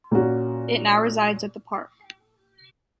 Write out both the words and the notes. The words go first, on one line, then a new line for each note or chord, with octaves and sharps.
It now resides at the park.
A#2 A#3 C#4 F#4